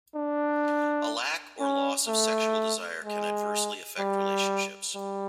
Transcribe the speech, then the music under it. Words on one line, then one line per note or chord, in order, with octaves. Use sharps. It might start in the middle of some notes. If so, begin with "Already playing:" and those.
A lack or loss of sexual desire can adversely affect relationships.
D4
C#4
A3
G#3
G3
G3